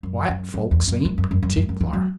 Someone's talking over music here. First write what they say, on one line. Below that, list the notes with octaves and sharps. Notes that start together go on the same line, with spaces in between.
White folks ain't partic'lar.
F#2
F#2
F#2
E2
F#2
F#2
F#2
F#2
F#2
F#2
F#2
E3
F#3